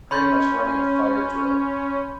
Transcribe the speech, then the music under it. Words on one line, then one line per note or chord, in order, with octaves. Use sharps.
pretty much running a fire drill,
C#4 B5 C6 G6